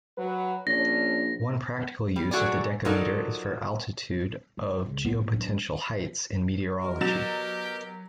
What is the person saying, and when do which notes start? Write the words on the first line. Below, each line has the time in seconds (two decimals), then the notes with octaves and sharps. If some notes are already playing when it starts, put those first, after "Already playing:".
One practical use of the decameter is for altitude of geopotential heights in meteorology.
0.18 F#3 B4
0.67 A#1 C#4 D4 C#5 A#6
2.16 G3
2.31 F#3 A3 F#4 G#4 D5
2.85 F3 F#3 D#4 A4 A#4 D5
4.57 D#3
4.86 C#2
5.05 F3 B3
5.21 A2
5.34 F#3 D4
6.79 B2 A#4
7.01 F#3 G4 A6 E7